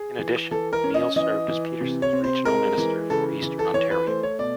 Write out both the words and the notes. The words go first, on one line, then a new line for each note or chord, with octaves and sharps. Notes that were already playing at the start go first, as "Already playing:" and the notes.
In addition, O'Neil served as Peterson's regional minister for eastern Ontario.
Already playing: G#4
E3
E3 A4
A#4
C#4
D#5
E3 D#5
E3
C3
C#5
C4
C5
G#3 A#4
E3
C#3 A4
E3
A4
E3 C#5
B4
A3 C5
C#5
B2 D5